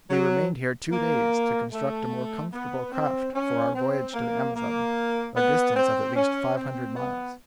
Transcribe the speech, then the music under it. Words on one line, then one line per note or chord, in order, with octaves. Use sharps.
We remained here two days to construct a more comfortable craft for our voyage to the Amazon, a distance of at least five hundred miles.
F#3
A#3
A3
B3
C4
C#4
C4
A#3
A#3
B3
C4
C#4
C4
B3